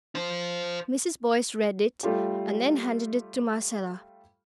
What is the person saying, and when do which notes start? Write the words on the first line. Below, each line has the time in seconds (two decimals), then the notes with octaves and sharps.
Mrs. Boyce read it, and then handed it to Marcella.
0.15 F4 C5
2.03 G3 A3 F4 G4